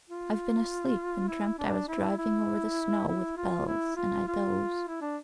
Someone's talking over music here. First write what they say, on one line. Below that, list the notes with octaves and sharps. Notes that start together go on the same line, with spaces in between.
I've been asleep and dreamt I was driving over the snow with bells, and I dozed.
F4
E4
D4
E4
E4
E4
F4
E4
F4
F4
E4
D4